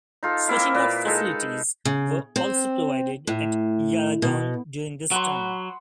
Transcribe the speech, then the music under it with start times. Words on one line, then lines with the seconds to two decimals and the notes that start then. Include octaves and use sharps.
Switching out facilities were also provided at Yarragon during this time.
0.23 D#4 F4 A4
0.48 A#3 C4 E4 F5
0.74 A#2 B4 D6
1.05 G#3 D#4 A4
1.85 C#3
2.36 C4
3.27 A2
4.22 B2
5.11 F#3 F#5 B5 C6